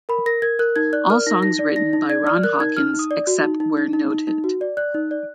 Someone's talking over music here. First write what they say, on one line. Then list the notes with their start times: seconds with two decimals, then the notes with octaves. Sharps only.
All songs written by Ron Hawkins except where noted.
0.09 A#4 B5
0.26 A#4 A#6
0.42 A#4 G#6
0.59 A#4 F#6
0.76 D#4 G#6
0.93 D5 F#6
1.10 A#4 F6
1.27 D#4 A#6
1.43 D#4 A#6
1.59 D5
1.76 D#4 A#6
1.93 D#4
2.09 D5 G#6
2.27 D5 F6
2.44 A#4 F#6
2.60 D#4 G#6
2.77 D#4 F6
2.94 D#4
2.99 D#6
3.11 D5
3.27 F#4
3.44 D#4
3.60 D#4
3.77 D#4
3.93 D#4
4.11 D#4
4.27 D#4
4.44 F#4
4.61 D5
4.77 D5 F#6
4.94 D#4
5.11 D5